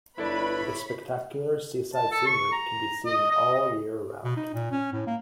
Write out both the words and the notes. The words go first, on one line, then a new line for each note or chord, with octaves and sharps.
The spectacular seaside scenery can be seen all year round.
G1 E4 A4 B4 C#5 D5 B5
A5
A4
C#6
A#5
D#5
D#5
D#5
B2
D#4
A#2
C#4
A2
A#3